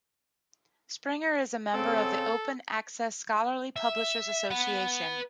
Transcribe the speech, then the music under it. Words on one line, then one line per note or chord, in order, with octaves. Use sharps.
Springer is a member of the Open Access Scholarly Publishers Association.
C#3 C4 A4
E5
B4 F#5